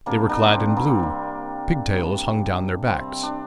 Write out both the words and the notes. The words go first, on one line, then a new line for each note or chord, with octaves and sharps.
They were clad in blue. Pigtails hung down their backs.
C3 G3 A#3 D4
A#3 D4
C4
A#3 D4
C3 G3
C3 G3
C3 G3 C4
D4